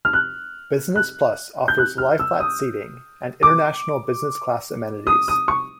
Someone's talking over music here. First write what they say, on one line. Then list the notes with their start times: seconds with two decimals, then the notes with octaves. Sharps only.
Business Plus offers lie-flat seating and international business class amenities.
0.05 F6
0.13 F#6
0.96 F#6
1.68 G6
1.78 F#6
1.98 F6
2.19 E6
2.40 D#6
3.43 D6
5.07 D#6
5.28 D#6
5.48 C#6